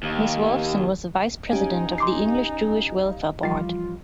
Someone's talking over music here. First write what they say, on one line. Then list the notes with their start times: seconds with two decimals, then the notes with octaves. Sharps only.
Mrs Wolfson was a Vice-President of the English Jewish Welfare Board.
0.03 D#2
1.51 C#4 D#4 G4 F5 G#5
1.98 C6 D6 C7
3.43 E3 F3 G3 F4 A6 C7